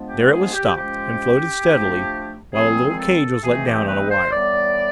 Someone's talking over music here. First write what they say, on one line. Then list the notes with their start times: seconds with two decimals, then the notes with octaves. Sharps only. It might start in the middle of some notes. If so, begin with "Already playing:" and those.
There it was stopped, and floated steadily, while a little cage was let down on a wire.
Already playing: F3 G#3 B3 D4
0.09 G4
0.32 G#4
0.53 G4
0.76 F3 G#3 C#4 G4
1.65 F3 A3 D4
2.54 A#2 F3 G#3 C4 G#4
2.89 G#4
2.98 A4
3.43 C3 E3 A3 C4 D#4 G#4
3.65 G4
3.87 B4
4.10 C5
4.32 A2 E3 G3 B3 D5